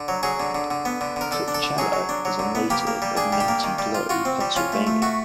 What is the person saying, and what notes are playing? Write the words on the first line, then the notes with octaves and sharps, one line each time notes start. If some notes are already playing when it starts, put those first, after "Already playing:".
Kupchella is a native of Nanty Glo, Pennsylvania.
Already playing: D3
F#3
F#3 G#4
D3
D3
D3
B3
D3
D3 A#4
D3 A4
D4
A4
D3
F#3 G#4
F#3
D4
F#3
D3
B3
A#3 G4
A#3
G3
D4 G#4
G3
G4
A#3
D#3
G3
F4
F4 F#4
C4
G3
C#4 F4
A3
A3
A3 F#4